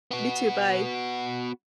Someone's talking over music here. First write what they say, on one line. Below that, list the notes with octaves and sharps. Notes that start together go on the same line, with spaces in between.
You too, bye.
B3 F#4